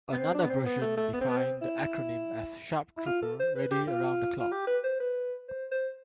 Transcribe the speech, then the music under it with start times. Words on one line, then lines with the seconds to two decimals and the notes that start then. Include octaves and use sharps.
Another version defined the acronym as "Sharp Trooper, Ready Around the Clock".
0.12 B3
0.18 C4
0.34 D4
0.44 B3
0.49 C4
0.66 B3
0.81 A3
0.97 A3
1.14 B3
1.21 C4
1.29 B3
1.37 C4
1.62 E4
2.97 E4
3.06 F4
3.22 A4
3.39 C5
3.55 B4
3.71 G4
3.87 F4
4.39 F4
4.52 G4
4.67 B4
4.84 C5
5.00 B4
5.48 C5
5.71 C5